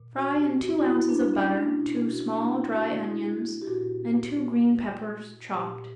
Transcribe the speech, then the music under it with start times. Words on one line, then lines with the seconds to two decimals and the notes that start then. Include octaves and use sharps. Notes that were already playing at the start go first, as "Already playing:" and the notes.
Fry in two ounces of butter two small dry onions and two green peppers, chopped.
Already playing: A#2
0.17 F#4
0.39 G4
0.63 F#4
0.70 E4
0.78 F#4
0.86 E4
1.09 D4
1.34 C#4
1.57 D4
1.80 B2 E4
2.11 F#4
2.36 D4
2.42 E4
2.74 F#4
3.04 E4
3.61 G4
3.67 A#2 F#4
5.54 A#2 G4